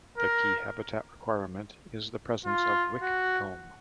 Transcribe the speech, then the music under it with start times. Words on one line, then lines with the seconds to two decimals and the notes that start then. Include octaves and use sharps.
The key habitat requirement is the presence of wych elm.
0.18 A#4
2.45 F4
3.02 F#4